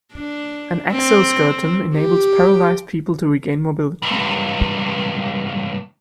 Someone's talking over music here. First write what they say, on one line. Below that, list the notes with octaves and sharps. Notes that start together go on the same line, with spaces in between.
An exo-skeleton enables paralyzed people to regain mobility.
D4
C4
G4
C#2 G2